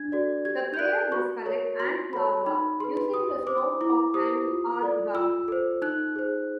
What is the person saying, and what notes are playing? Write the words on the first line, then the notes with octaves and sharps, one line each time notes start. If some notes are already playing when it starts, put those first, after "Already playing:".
The player must collect ant larva using the snout of an aardvark.
Already playing: D4 G#6
F#4 A4 D5
G4 G#6
G6
A#4 D5 F#6
F#4 C#6
A#4 C#5
F#4 C6
A4 C#5 B5
D#4 B5
G#4 B4 C6
G4 D#6
C5 D6
E4 D6
G4 C5 D#6
F4
A4 D5
F4 E6
A4 C5
D#4 F#6
G#4 C5